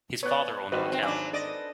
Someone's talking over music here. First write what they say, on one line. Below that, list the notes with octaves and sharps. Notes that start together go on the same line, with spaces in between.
His father owned a hotel.
B3 C#5 D5 F#6
G#1 G3 F#4 B4 C5 D#5
B3 C4
G#1 F#3 D4 G#5 D6
A4 D5 D#5